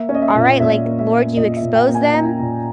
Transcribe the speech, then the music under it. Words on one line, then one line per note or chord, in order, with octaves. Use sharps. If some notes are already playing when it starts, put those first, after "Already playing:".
All right, like, "Lord, you expose them,
Already playing: A#3 E5
C#4
D#5
E5
A#2
A#2 E5
A#3
E5
C#4
A#2 D#5
E5
A#2
G5
A#3
G#5
C#4 A#5
A#2